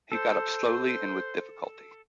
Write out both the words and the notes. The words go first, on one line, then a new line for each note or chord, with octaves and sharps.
He got up slowly and with difficulty.
A4 C5